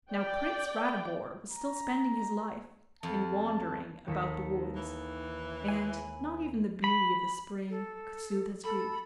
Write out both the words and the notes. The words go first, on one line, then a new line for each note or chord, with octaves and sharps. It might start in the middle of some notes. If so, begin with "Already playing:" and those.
Now Prince Ratibor was still spending his life in wandering about the woods, and not even the beauty of the spring could soothe his grief.
D5 G5
A#5
F2 A5
D#2 D#3 A4 B6
E3
G#5 B5
B5
A4
A4 B5